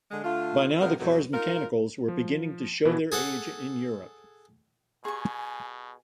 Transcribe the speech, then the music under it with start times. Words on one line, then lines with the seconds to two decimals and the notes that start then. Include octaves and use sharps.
By now the car's mechanicals were beginning to show their age in Europe.
0.10 D3 G#3
0.23 D3 A3 F4
0.80 C3 B3 F4 G4 A#4
0.99 F2 B2 E3 F#3
1.34 D#4 F4 A#4
2.08 F3
2.85 B2 E3 E4
3.12 G#4 A4 F#5
5.05 B2 G4 G#4 G#5 C#6